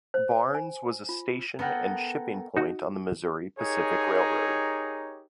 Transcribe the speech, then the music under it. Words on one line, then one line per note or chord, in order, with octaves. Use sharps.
Barnes was a station and shipping point on the Missouri Pacific Railroad.
C5
G#5
F4
B3 A4 A#4 F#5 G5
D#4 F#4
D#4 G4 G#4 A#4 C#5